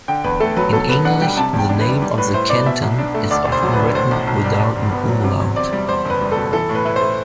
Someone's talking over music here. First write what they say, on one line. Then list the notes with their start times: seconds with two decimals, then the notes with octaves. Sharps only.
In English the name of the canton is often written without an umlaut.
0.08 D3 G5
0.24 E2 B4
0.40 A3 A4
0.56 F#3 B4
0.73 B2 A4
0.89 B1 B4
1.05 D4 F#5
1.21 G3 G5
1.37 C3 A5
1.53 E2
1.58 G5
1.70 D4
1.80 B4
1.85 G3
2.02 G3
2.18 A2 B4
2.34 E4 C5
2.50 B3 D5
2.66 B2 E5
2.82 B1
2.98 D4
3.14 A3
3.31 D2 D5
3.47 E1
3.52 C5
3.63 F#3
3.74 B4
3.79 D3
3.95 A2 C5
4.11 B1
4.27 B1
4.44 G3
4.59 G2
4.76 G1
4.92 B3
5.08 F#3
5.24 C3
5.40 E2
5.56 C4 D5
5.72 G3
5.88 E2 C5
6.05 F#1
6.10 B4
6.21 G3
6.32 B2 A4
6.53 E3 A4
6.69 A2
6.75 B4
6.85 E4 B4
6.96 C5
7.01 A3